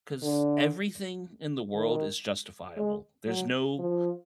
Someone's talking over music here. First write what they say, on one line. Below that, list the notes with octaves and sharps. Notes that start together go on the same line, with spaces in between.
'Cause everything in the world is justifiable. There's no
D3
D#3
G#3
F#3
F3